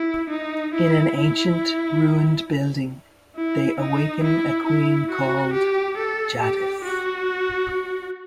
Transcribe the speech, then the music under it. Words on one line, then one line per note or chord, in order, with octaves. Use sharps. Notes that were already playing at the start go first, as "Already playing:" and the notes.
In an ancient, ruined building they awaken a queen called Jadis.
Already playing: E4
D#4
E4
E4
E4
D#4
E4
E4
F#4
G4
A4
G4
F#4